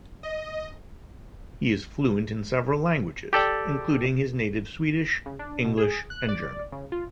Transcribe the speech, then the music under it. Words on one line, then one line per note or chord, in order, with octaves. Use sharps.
He is fluent in several languages including his native Swedish, English and German.
D#5
G4 A4 D5 G5
C#3
D4
B2
G#4
F#6
D5
C#3
F4